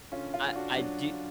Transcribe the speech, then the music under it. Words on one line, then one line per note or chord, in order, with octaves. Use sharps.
I I do
D3 C#4 F4
C#4 F4
D3
D4 F#4
F#3 D4